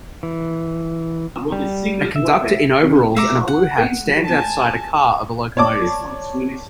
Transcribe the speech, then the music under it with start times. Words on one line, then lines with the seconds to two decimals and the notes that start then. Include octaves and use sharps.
A conductor in overalls and a blue hat stands outside a car of a locomotive.
0.23 E3
1.52 G3
2.16 E5
3.16 E5 A#5 D6
3.48 F#5
4.25 G#5 A5
5.57 C#5 D5 A5 D6